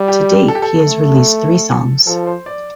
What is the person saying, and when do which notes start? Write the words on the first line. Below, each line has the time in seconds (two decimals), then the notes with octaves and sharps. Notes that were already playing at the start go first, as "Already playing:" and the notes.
To date he has released three songs.
Already playing: G3
0.08 G4
0.48 A4
0.55 G4
0.62 A4
0.88 A3
2.07 F3 A4
2.26 C5
2.46 D5